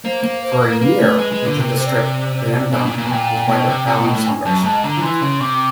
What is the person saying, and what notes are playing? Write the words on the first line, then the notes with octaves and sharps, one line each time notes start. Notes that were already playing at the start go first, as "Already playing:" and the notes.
For a year he drew the strip "Dan Dunn" with writer Allen Saunders.
A#3 C5
A#3
C5
A#4
A#4
A#3 B4
A3
G#3
G#3
D3
C3 A#4
B4
C3 C5
D5
B2 G#5
A#2
A#2
B2
A#2 G5
B2
C3
C3 F#5
B2
G5
A2
G#5
F#2 A5
A#5
G#2 A5
D3 A#5
F3
E3 C6
C#3
C3 D6